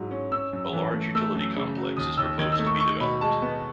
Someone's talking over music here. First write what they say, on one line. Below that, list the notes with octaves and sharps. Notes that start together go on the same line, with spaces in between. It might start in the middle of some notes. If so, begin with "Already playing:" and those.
A large utility complex is proposed to be developed.
Already playing: G#2 F#3 E4
C#4
C#4 E6
F#2
E3
A3
A3 E6
F#2
C#3
F#3
D#2 D#6
D#2 E6
D#3 G#6
E6
A3
C#6
D#4 C#6
B2 B5
G#3 A5
B3